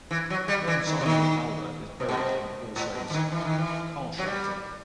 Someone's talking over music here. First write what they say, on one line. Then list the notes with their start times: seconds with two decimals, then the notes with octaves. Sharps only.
John Samuel Alder is buried in All Saints Carshalton.
0.11 E3
0.30 F#3
0.48 G3
0.67 E3
0.86 D#3
1.01 C3
1.06 D#3
2.00 C3
2.09 B2
2.17 C3
2.76 A2
2.95 B2
3.10 E3
3.14 D#3
3.32 E3
3.45 D#3
3.58 E3
4.19 F#3
4.26 G3